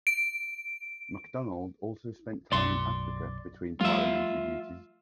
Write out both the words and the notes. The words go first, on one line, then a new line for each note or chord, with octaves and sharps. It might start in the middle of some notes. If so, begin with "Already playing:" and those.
MacDonald also spent time in Africa between parliamentary duties.
D7
B1 F#2 D5 C6
F3 G3 A3 F4 E5